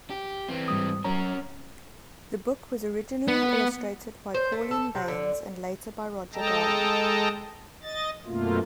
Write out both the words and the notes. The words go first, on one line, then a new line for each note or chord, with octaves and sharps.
The book was originally illustrated by Pauline Baynes and later by Roger Garland.
G4
E3 C4
G#2 G3 D#6
F#3 C#4 A#4 C#5 A#5
B3
C5
A3
A4
C3
D3
G#3 A4 D#5 G5 A5 A#5
D#5 A6
F#2 B2 A3 A#3 F4